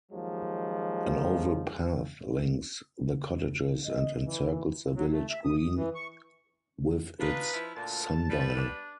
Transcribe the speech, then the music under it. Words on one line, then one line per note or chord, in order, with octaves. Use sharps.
An oval path links the cottages and encircles the village green with its sundial.
D#2 F3 F#3 G#3
D#5
E3
F#3
A3
E5
D#6
D#6
E3
C#6
D4 D#4 F4 B4
F3 E4
D2 A#2 A5
G3 B3 B4
D4